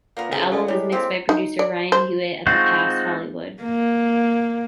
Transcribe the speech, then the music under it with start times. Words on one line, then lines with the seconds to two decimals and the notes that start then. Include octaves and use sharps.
The album was mixed by Producer Ryan Hewitt at "The Pass", Hollywood.
0.17 A#2 A#3 B3 A#4
0.32 F2 C#3 A3 B3 E5
0.52 C#4 A4 D5 D#5
0.68 G3 G#3 E4 G4 C#5
0.92 A#3 C4 F4 G4
1.29 D#4
1.59 D5
1.92 C5
2.47 G#3 C4 D#4 F4 F#4
3.63 A#3